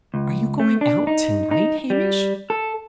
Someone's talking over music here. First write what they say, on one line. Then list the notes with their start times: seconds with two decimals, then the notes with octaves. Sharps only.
"Are you going out to-night, Hamish?"
0.14 C#2
0.60 A3
0.81 D4
1.07 D#4
1.51 D#4
1.90 G3
2.50 A4